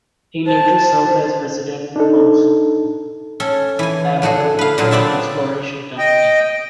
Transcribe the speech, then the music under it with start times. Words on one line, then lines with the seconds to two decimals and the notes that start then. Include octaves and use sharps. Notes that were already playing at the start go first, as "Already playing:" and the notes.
He later served as President of Navarro Exploration Company.
0.46 C5 A5
0.84 C5
1.96 D4 D#4 A4
3.40 C#4 A4
3.79 E3 G#5
4.22 A2 A3 F#4 G#4
4.59 B4 F5
4.78 A#2 D3 F#3
4.91 B3 C4 D5 E5 A5
5.98 D#5 G5